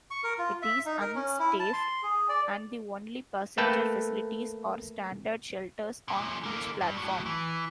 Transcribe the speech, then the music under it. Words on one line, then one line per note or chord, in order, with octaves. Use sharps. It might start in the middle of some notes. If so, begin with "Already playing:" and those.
It is unstaffed, and the only passenger facilities are standard shelters on each platform.
C#6
A#4
F4
E5
D#4
A#4
C#4
E4
A5
C6
G#4
D5
A3 A#3 A4 B4 G5 A5
F#2 A#2
D3 A#3
G2
A2 F#3
E3